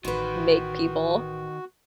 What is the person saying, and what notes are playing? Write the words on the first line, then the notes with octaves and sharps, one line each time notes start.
make people
A1 D#3 F#4 B4 C5